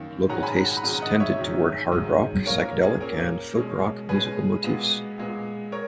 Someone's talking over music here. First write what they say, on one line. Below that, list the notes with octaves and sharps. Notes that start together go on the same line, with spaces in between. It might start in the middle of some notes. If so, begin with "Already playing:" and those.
Local tastes tended toward hard rock, psychedelic and folk-rock musical motifs.
Already playing: F#2 D#3 A#3
G#2 D#3 F#3 C#4 F#5 A#5
G#5 B5
F#5 A#5
F#5 A#5
B5
G#2 D#3 F#3 C#4 F#5 A#5
D#5 F#5
C#5 E5
G#2 D#3 F#3
G#2 D#3 F#3
A#2 A#3 C#4 A#4 C#5
A#4
G#4
A#2 A#3 C#4 A#4
B2 G#3 C#4
B2 G#3 C#4 G#4 B4
A#2 G#3 B3
A#2 G#3 B3
A#4 C#5